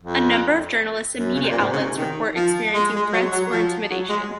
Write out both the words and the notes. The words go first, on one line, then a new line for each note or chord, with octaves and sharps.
A number of journalists and media outlets report experiencing threats or intimidation.
F2
F#2
C#3
C3
A#2
G#2
C#3
C3
D#3
F3
G#3
G#3
F#3
F#3
F3
F#3
G#3